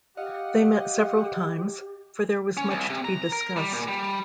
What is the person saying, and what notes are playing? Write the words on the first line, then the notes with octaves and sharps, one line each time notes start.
They met several times, for there was much to be discussed.
G4 D#5 F5 F#5
C#4
C2
C3
A#5
A#4
G3
A#2
G3